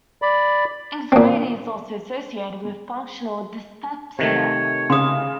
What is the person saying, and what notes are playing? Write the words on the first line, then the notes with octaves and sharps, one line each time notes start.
Anxiety is also associated with functional dyspepsia.
D5 B5
A#2 C4
C3 D#3 A3 C#5
C#3 C6 D#6